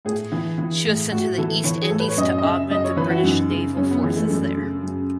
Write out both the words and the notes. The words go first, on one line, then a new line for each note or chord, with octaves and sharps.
She was sent to the East Indies to augment the British naval forces there.
A2 G#4
E3
E3
A2
A2 F#4
E3 A4
E3 C#5
G#4
A2 A4
B4
C#5
F#2 D#5
D#5
C#3 E5
F#2 D#5
C#5
E3 B4
E4
F#4
F#2 D#4
C#3
F#2 C#4
B3
E3 G#3
A3
G#3
F#2 A3
C#3
F#2